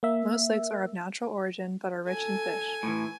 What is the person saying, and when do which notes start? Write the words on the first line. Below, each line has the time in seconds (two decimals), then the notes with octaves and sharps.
Most lakes are of natural origin, but are rich in fish.
0.03 A#3 E5
2.09 A4 G#5
2.83 A2 E3